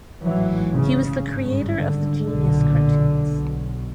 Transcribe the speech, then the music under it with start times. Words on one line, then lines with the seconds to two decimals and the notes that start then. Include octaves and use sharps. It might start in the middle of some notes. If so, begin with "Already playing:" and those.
He was the creator of the "Genius" cartoons.
0.23 A1 G#2 E3 F#3
0.73 C#3
1.24 G#1 G2 C#3
1.75 D3
2.25 B1 A#2 D3
3.27 B1 B2